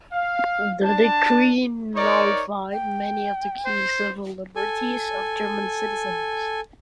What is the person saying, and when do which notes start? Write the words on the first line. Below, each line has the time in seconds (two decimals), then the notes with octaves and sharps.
The decree nullified many of the key civil liberties of German citizens.
0.12 F5
0.83 D4 A5
1.95 D#4 A#4 C#5 D5
2.72 G5
3.66 C5
4.56 A4 G#5